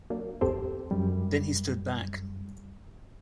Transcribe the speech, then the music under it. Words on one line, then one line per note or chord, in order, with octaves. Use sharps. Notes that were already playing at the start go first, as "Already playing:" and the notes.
Then he stood back.
F#3 A#3 D4
G#1 E2 C4 G4 A4 C5
F#2 G3